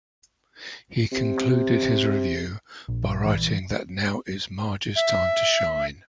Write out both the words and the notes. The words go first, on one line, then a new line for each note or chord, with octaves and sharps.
He concluded his review by writing that now it's Marge's time to shine!
C3
A#1
E3 G3
E5